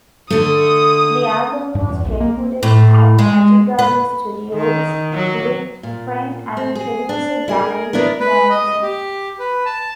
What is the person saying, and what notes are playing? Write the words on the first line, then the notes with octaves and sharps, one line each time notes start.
The album was recorded at Magic Garden Studios with friend and producer Gavin Monaghan.
D3 A3 D#6
G2
E2
B1
A#3
A2
G#3
B4
D#3
F#3
A#2
C4
G#4
D4
E4 G#4 A#4
B3 D4 E4 A#4
B4
D#5
G4
B4
A5